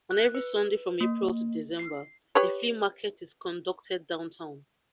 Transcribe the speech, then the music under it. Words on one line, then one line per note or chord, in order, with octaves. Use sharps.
On every Sunday from April to December, a flea market is conducted downtown.
F#6
B4
A#3
C7
G4 B4 C#5